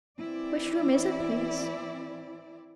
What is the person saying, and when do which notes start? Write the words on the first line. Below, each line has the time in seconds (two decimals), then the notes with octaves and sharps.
"Which room is it, please?"
0.18 E3 C4 E4 D5